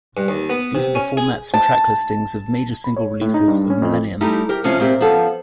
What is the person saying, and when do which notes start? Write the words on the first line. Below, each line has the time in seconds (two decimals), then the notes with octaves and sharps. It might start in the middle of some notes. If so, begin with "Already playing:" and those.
These are the formats and track listings of major single releases of "Millennium".
0.17 G2
0.28 D#2
0.50 B3
0.75 C3
0.95 C#4
1.17 G#4
1.54 A5
2.84 B5
2.96 C#5
3.21 A2
3.34 D#4
3.48 G2
3.70 C#4
3.82 F2
4.21 G3 A3 D#4 E4 G4
4.49 G4 A#4
4.64 C3 F3 C#4 F4 F5
4.80 A#2 C4 G4 E5
5.00 F3 B3 C#4 A4